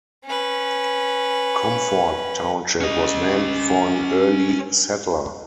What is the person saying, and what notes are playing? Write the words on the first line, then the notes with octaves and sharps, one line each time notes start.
Comfort Township was named for an early settler.
C#4 B4
C#4 D#5